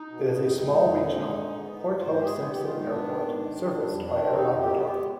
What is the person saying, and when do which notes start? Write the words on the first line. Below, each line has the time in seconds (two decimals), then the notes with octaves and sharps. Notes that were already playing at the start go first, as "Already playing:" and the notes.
It has a small regional Port Hope Simpson Airport serviced by Air Labrador.
Already playing: D#4
0.09 B2
0.27 B3
0.44 F2
0.61 G#3
0.79 F2
0.96 D3
1.13 G#3
1.30 D3
1.48 G#2
1.65 B3
1.83 G#2
1.99 G#2 C5
2.17 G#3 G4
2.25 G#4
2.35 B3
2.52 D#3 G4
2.64 G#2 F4
2.78 D#4
2.86 B3 D4
3.04 D#3
3.21 G#2
3.38 D#3
3.55 G3
3.73 G3
3.91 F2
4.07 D#3 D4
4.25 C4
4.33 D#4
4.42 F2
4.59 B2 G4
4.77 B3 G#4
4.85 G4
4.94 G#3